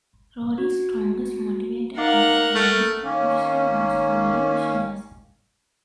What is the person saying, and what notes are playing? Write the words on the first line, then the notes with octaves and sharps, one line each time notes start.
Rory's strongest motivator is want - if she wants to do it, she does.
F#4
D#4 A#4 F5 F#5 D6
A3 F6 F#6 D7
D#3 A#3 C#4